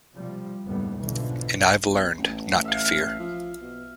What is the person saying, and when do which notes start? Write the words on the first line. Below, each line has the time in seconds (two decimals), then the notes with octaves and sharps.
And I have learned not to fear.
0.16 C3 F3 G3
0.65 F#1 D#2 A2 G3 B3
0.97 B1 G#2 B2 D3 E3 F3
1.85 B2
2.18 A1
2.65 E5 F5
3.20 F3
3.61 B2